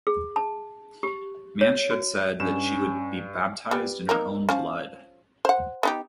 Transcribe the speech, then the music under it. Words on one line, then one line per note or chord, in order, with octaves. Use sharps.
Manche had said that she would be baptized in her own blood.
G#4
A5
G4
C#5
F#4
G2 C#4 E7
G3 B3
A#3 D#4 A#4
F3 C#4
C5 F#5
B3 D#4 G4